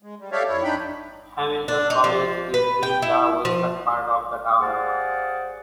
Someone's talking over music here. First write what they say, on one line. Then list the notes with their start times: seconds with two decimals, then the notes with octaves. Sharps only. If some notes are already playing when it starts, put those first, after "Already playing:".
Hamilton College is in the western part of the town.
0.03 G#3
0.20 G3
0.32 G4 A4 C#5 D5 E5 F5
0.48 F2 E4 C#5
0.63 F2 D4 D#4 G5 B5
1.68 D4
1.90 D#4
2.04 F3
2.54 B4
2.83 G5
3.02 E4
3.45 F3
4.60 G4 G#4 C5 D5 F5 F#5